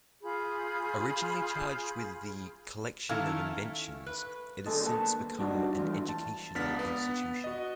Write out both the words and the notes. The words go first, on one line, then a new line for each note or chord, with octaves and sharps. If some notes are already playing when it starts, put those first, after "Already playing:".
Originally charged with the collection of inventions, it has since become an educational institution.
F4 G#4 B5 G6
D#3 A3 C#4 E4 F5 A#5
B4
D3 A3 G#4 A4 D#5
A#3 B4 G5 A5
G3 D4 D#4 F#4
E3 A3 F4
A5
C#2 B3 D4 F6 A6 B6
B3
F#4 D#5